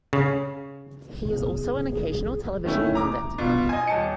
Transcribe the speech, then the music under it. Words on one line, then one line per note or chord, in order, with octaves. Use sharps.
He is also an occasional television pundit.
C#3
C3 B3 G#4
D#3 A3 C#4 E4
A#5 D6
B2 F4
D#5 G#5
D#1 A5 C#7